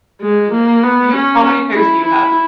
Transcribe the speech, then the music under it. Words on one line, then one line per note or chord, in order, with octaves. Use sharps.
Yeah. You how many pairs do you have?
G#3
A#3
B3
C#4
E4
E4